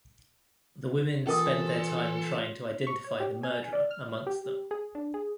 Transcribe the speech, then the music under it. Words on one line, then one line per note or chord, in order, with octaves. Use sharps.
The women spend their time trying to identify the murderer amongst them.
E3 C#4 F4 A4 A#4 D#6
C#6
C#5
G4
G#5
D5
F6
G4
G#4
D4
G#4